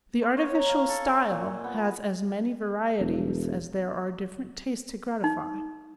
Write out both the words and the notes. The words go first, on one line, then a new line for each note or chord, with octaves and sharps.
The artificial style has as many varieties as there are different tastes to gratify.
C6
C#5
A#5
F5
A4
G#4
A#2
D#5
B3
E1
D#4